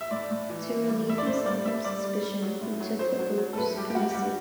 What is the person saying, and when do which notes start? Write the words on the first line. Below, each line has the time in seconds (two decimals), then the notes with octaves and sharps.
To relieve himself from suspicion he took the Oath of Supremacy.
0.01 E5
0.11 A2 D5
0.31 A2
0.50 E3
0.69 E3
0.88 G3
1.07 A2 E5
1.18 D5
1.26 A2 C5
1.46 G3 D5
1.64 A2 E5
1.84 G3 D5
2.04 G3
2.23 G3
2.42 F#3
2.61 A2
2.80 F#3
2.99 F#3 C5
3.19 F#3
3.38 F#3
3.53 A4
3.57 A2 B4
3.76 G3 G4
3.90 G4
3.95 G3 F#4
4.10 G4
4.14 G3 F#4